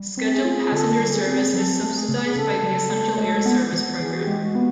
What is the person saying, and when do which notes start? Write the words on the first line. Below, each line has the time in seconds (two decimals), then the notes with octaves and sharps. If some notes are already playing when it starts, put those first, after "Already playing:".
Scheduled passenger service is subsidized by the Essential Air Service program.
Already playing: G3
0.17 C4
0.30 G#4
0.45 F4
0.72 D3 A4
0.99 G3
1.13 G#4
1.27 C4
1.54 F#3 A4
1.82 A3
1.95 G#4
2.09 C#3
2.36 C#3 A4
2.64 F#3
2.91 A3
3.18 G#3
3.46 B3
3.73 E3
4.00 E3 G#4
4.12 F#4
4.20 G4
4.27 G#3
4.42 F#4
4.55 B3